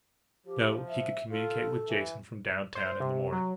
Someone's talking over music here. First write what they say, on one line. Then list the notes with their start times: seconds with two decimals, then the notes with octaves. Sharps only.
No; he could communicate with Jason from downtown in the morning.
0.46 F3 G4
0.88 E5
1.31 F4 A4
1.88 E3
2.75 C5
3.00 C3
3.32 F#3